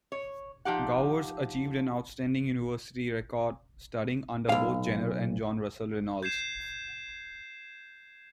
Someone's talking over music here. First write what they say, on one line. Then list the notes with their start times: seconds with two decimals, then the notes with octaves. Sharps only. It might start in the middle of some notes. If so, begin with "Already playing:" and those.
Gowers achieved an outstanding university record, studying under both Jenner and John Russell Reynolds.
0.12 C#5
0.65 F3 D#4 G4 F#5
4.49 B1 F5
6.23 G6 G#6 C7 E7